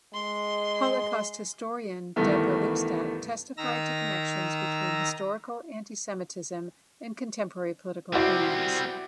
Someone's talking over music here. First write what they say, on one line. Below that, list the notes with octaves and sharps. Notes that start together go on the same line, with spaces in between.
Holocaust historian Deborah Lipstadt testified to connections between historical antisemitism and contemporary political themes.
G#3 C6
C2 G2 D#3 E3 A3 B3
D#3 A#5 E6 A#6
G3 C4 E4 F#4 D5